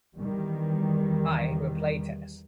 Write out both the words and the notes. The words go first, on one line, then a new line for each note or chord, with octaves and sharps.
I will play tennis.
E2 D#3 G3